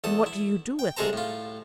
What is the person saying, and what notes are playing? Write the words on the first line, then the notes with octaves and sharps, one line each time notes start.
"And what do you do with it?"
E2 A4 D#6
E4
G5
C2 G#3 G#4 A4 C5 A#5
A2 F4